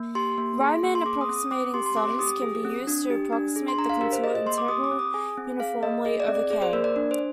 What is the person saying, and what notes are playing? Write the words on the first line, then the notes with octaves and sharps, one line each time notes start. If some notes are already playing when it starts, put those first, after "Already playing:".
Riemann approximating sums can be used to approximate the contour integral uniformly over "K".
Already playing: A#3
G4 C6
A#3
G#4
A#3
C6
G#4 D6
D#6
C4
D#6
C4 D6
G4 C6
C6
C4 D6
G4 D#6
G#4
C4
D4
G4
D4
G#4
C6
D4 A#5
F5
G4 A#4
C5
G#4 D#5
D#5
A#3 C6
D6
G4 D#6
D6
C4
D#6
G#4 G#5
C4
G#4 F5
A#3 D#5
G#4 D#5
D5
C4
D5
G#4 D5
C5
A#3 A#4
D5
D4
C5